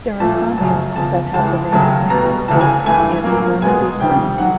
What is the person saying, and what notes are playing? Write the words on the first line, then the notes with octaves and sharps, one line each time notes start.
There are communes that have the name "Saint-Marcouf" in Normandy, France.
A#2 F3 A3 A5
F#2 C#3 F#3 A5
E2 C#3 F3 A5
C#2 C#3 E3 G#3 A5
D#2 C#3 F#3 A3 A5
B2 G3 B3 A#5
D2 C#3 E3 A5
G#5
G2 E3 A3 G#5
A#2 F#3 A#3
B2 G#3 B3 G#5
F2 C3 D#3 G3 G5
D#3 F#3 F#5